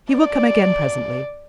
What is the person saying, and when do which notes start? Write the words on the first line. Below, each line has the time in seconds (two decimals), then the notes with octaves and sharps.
He will come again presently.
0.13 D5